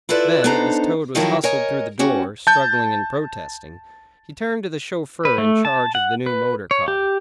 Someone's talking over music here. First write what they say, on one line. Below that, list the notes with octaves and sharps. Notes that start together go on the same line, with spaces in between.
Then, as Toad was hustled through the door, struggling and protesting, he turned to the chauffeur in charge of the new motor-car.
E4 F4 A4 B4 D5
B3 D4 D#4 A4 C5 A#5
D#3 F3 F#3 E4 A4 A#4
A#4 C#5 D#5 G#5
C#4 F#4 G4
A5 G6
B4
A3
A5
F#5
B4
C#5
G4